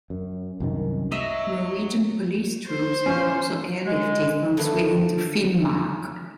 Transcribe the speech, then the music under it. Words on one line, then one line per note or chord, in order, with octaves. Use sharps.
Norwegian police troops were also airlifted from Sweden to Finnmark.
F#2
C2 F#2 D#3
F#3 D#5 E5
C5
C#4 F4
G#3
D3 D#3 F3 F#3 A3 B3